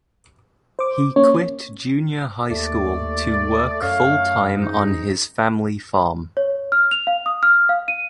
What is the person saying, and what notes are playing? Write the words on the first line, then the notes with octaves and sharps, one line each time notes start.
He quit junior high school to work full-time on his family farm.
C5 D6
A#3 C#4 C#5
D#2 A3 D5
F#2 A3 C#5 F5
G#2 D#4
C#5
F6
F7
F5
D#6
F6
F5
D#7